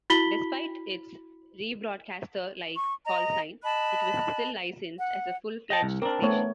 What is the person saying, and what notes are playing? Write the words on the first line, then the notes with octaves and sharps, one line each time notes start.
Despite its rebroadcaster-like callsign, it was still licensed as a full-fledged station.
E4 F#4 B5 B6 F#7 G7
C#6
D#5 A#5
D#5 A5 B5 F#6
F#5
D#5 G5 A5
C2
C4 D4 A#4
A3 B3 C#5